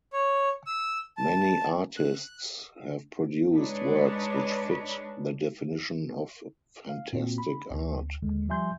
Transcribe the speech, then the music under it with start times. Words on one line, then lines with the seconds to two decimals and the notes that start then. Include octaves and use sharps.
Many artists have produced works which fit the definition of fantastic art.
0.13 C#5
0.67 E6
1.17 A5
1.97 F#6
3.54 G#3 D4 D#4 B4 C#5 D5
6.89 F5
7.13 A#2 C4 F#4
7.38 B5
7.70 D2
8.22 D#2 D3 G#3
8.49 F3 G3 E5 G#5 C6 G6